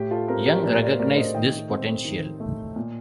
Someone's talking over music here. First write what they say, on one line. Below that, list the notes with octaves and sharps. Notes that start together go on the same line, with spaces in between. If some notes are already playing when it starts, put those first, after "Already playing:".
Young recognized this potential.
Already playing: A2 G4
F4 A4
C4 G4 A#4
G4 A#4
A2 A#4 D5
A#4 D5
C5
A3 A#4 D5
C5 D#5
D#3 D#5 G5
C4
D#3
A3
A#2